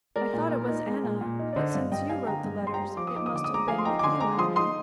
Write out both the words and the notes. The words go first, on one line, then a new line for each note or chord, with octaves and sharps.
I thought it was Anna, but since you wrote the letters, it must have been with you, Alma.
G#3 A#4 D5
A#2
A#2
D#4
G#3
A#2
A#2
D#4
D5
D3 C5 D#5
D#5
G2 D5 F5
G2 D#5 G5
G3 F5 G#5
D3 G5 A#5
G2
G2
C6
G5 A#5
G3
F3 D6
D#6
D#4 D6
D#6
D3 D6
D#6
G#3 A#5 D6
F3 F5 G#5
C6
D#4 G5 A#5
D6
D3 G#5 C6
G#3 A#5 D6
F3 C6 D#6
D#4 C6 D#6